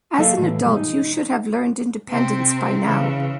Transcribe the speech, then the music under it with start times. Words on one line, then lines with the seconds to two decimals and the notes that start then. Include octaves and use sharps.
As an adult, you should have learned independence by now!
0.18 F#3 A#3 A4 D#5 F5
0.38 A2 E3
0.64 G#2 B2 F3 G3 G#3
0.77 D#4
2.09 C3 C4
2.83 C#3 E3